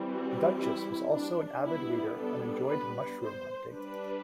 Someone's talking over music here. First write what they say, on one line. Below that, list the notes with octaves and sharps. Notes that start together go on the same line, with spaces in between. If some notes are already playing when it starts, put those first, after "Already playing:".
The Duchess was also an avid reader and enjoyed mushroom hunting.
Already playing: E3 G3 C4
F#4
E4
D4
G3 B3 D4 E4
A4
B4
C5
G3 D4 B4